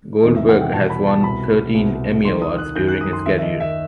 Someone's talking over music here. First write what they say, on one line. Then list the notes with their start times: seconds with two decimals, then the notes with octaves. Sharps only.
Goldberg has won thirteen Emmy Awards during his career.
0.23 E2 C3 D#3 D#5
0.36 E5
0.49 F#5
0.61 G5
0.73 E2 B2 A5
0.90 B5
1.07 A5
1.23 C2 B2 B5
1.75 C2 B2
2.25 D#2 D#3 C6
2.42 D#6
2.58 F#6
2.76 F#2 D#3 G6
2.88 F#6
3.01 D#6
3.13 C6
3.26 D#2 D#3 E5
3.38 E5
3.43 D#5
3.60 E5